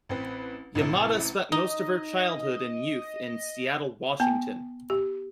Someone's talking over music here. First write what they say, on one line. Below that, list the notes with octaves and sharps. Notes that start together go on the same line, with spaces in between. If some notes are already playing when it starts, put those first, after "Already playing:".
Yamada spent most of her childhood and youth in Seattle, Washington.
A1 C4 B4
A1 A2 C3 E7
D#4 D#5
B3 G5 A5
G4